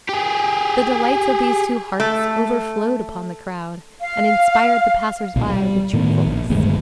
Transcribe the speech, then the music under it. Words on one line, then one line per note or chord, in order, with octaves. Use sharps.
The delights of these two hearts overflowed upon the crowd, and inspired the passers-by with cheerfulness.
G4 G#4
A3
F5
B1 A#2
G3
A2 D#3 B3
A#1
D#1 D2 G2 G#3